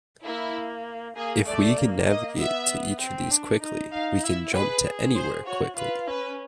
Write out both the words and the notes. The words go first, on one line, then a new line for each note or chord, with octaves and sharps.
If we can navigate to each of these quickly, we can jump to anywhere quickly.
A#3 E4
A#3 G#4
A3 D5
A#3
D#5
B3 E5
C4
D4
D#4
D#4 F5
E4 E5
G#4 B4
G#4
C5
F#4 C#5
F4 B4
C#4 B4